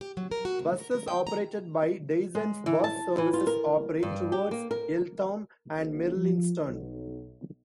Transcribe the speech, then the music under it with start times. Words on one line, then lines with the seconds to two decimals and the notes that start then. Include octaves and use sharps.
Buses operated by Dyson's Bus Services operate towards Eltham and Merlynston.
0.01 G4
0.17 F#3
0.31 A#4
0.45 F#4
0.59 D2
0.78 A#4
0.91 A#4
1.08 G5
1.27 A#5
2.35 G#3
2.66 E3
2.84 A5
3.18 E3
3.33 F4
3.47 A#4
4.03 G2
4.32 G4
4.51 A#3
4.71 A#4
5.76 F#1
6.17 F3
6.67 B1